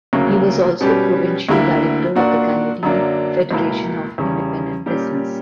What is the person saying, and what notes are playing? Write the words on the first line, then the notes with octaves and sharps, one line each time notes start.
He was also provincial director of the Canadian Federation of Independent Business.
D2 C#3 F#3 A#3 C#4
B2 G3 C#4 G4 B4
D2 D3 A#3 E4
A#2 A#3 D4 F#4
F#2 D3 F#3 A#3 D4
C#2 B2 A#3 E4
E2 C#3 G3 C#4
A#2 G3 C#4 G4